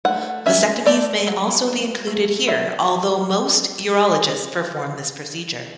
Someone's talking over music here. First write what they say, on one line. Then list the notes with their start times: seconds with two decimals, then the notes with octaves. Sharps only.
Vasectomies may also be included here, although most urologists perform this procedure.
0.05 A3 F#5
0.46 C#4 E5
0.86 A3 D5
1.27 F#3
1.68 F#3
2.07 A3
2.47 F#3 E5